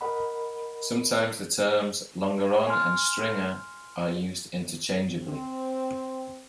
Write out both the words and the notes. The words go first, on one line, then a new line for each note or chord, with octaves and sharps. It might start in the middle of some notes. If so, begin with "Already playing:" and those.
Sometimes the terms "longeron" and "stringer" are used interchangeably.
A#4 D#5 F#5 B5
G#5 C6 F6
C4